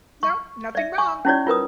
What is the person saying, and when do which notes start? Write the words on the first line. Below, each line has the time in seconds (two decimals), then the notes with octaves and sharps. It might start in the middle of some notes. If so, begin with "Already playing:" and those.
No. Nothing wrong."
0.23 C#6
0.75 D5 E5
0.98 G#5 C#6
1.25 C#4 D#4 E4 F#4 C#5 D5
1.47 F4 A#4 B4 D#6